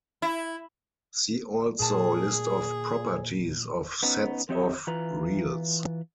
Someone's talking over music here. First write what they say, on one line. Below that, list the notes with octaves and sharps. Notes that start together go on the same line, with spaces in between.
See also list of properties of sets of reals.
E4
A#2 G#4 A5
B3 C#4 D#4
F2 C4 G4 C#5 D#5 E5
E3 F4 B4 A#5